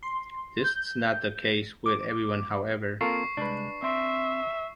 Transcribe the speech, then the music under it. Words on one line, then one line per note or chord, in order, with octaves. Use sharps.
This is not the case with everyone, however.
C6
G6
D6
A#3 C4 F4 A4 A#4 C#6 C7
C2 G#3 D4 B4
C4 E5 C6